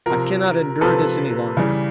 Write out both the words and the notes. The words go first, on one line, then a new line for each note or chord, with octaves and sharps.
I cannot endure this any longer.
C3 F3 A#4
C3 F3 A4 B4
C#3 E3 G3